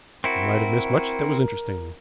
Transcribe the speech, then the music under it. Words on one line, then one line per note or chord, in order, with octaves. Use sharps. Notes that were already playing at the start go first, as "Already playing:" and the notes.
We might have missed much that was interesting.
C4 E4 F#4 A#4